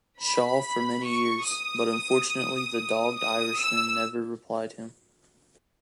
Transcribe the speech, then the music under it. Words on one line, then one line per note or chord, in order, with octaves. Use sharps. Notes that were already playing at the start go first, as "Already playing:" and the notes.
Shaw for many years, but unfortunately the dogged Irishman never replied him.
B5
C#6
D#6
D#6
E6